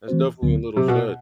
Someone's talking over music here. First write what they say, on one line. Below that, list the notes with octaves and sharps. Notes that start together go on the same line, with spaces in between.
That's definitely a little sad.
E3 A3 C4 F#4 C5
D2 D3 F#3 B3
C3 F#3 C4 G4 C5
B2